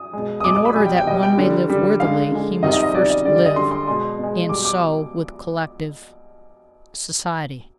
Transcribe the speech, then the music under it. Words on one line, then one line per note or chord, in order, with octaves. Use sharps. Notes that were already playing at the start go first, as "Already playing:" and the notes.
In order that one may live worthily he must first live, and so with collective society.
Already playing: D#6
B2 G#3
D#6
B2 G#3 D6
D6
B5
B2 G3 G#5
G5
G5
B2 G3 D#5
G5
D3 G3
D3 G3
D3 G#3 F5
D3 G#3
C3 D#3 G3 D#5
D#5
D#5
C3 D#3 G3 D5
D#5
D3 G3 D5
D5
D#5
D3 G3 C6
C6
B2 G#3 C6
B2 G#3
B2 G3 D6
D6